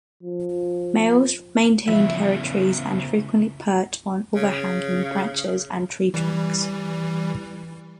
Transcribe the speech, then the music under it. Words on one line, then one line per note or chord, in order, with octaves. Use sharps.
Males maintain territories and frequently perch on overhanging branches and tree trunks.
F3
C#3 F3 B3 E4 E5
C#3
E3 G3